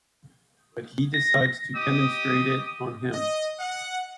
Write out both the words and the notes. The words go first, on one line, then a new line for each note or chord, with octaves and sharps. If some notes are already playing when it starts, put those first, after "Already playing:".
But he decides to demonstrate it on him.
A#6
G4 D#5 D#6
D#5
F#5